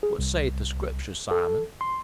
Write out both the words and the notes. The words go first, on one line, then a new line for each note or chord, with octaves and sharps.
What saith the Scriptur', Simon?
G#4
C2
A4
C6